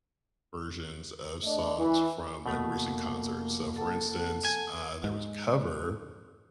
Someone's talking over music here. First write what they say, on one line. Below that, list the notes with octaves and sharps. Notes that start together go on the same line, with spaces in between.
versions of songs from, like, recent concerts so, for instance, uh, there was a cover
A3 D4 D5 D#5
E3
F1 B2 A3 A#3
A4 F#5 A5
G#5
G#2